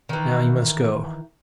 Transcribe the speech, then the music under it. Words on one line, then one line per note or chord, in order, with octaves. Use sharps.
Now you must go.
D#3 E3